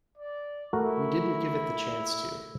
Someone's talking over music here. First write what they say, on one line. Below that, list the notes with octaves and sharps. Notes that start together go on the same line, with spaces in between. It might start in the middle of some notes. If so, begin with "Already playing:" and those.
We didn't give it the chance to.
D5
A3 E4 F#4 A#4